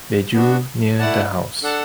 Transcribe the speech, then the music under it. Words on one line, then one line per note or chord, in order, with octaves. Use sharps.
They drew near the house.
B3 D4 F#4
A3 E4 D5 F#5 A5
D4 A4 F#5 A5